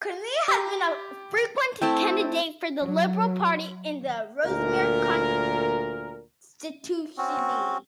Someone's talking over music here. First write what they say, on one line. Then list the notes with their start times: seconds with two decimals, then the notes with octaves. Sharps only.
Connelly has been a frequent candidate for the Liberal Party in the Rossmere constituency.
0.48 G4
1.82 A3 C4 E4 G5 A5
2.83 F#3
4.45 D2 A#2 A#4
7.18 C4 C#4 F#4